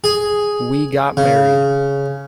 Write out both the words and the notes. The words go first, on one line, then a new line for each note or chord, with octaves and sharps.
We got married.
G#4
C#3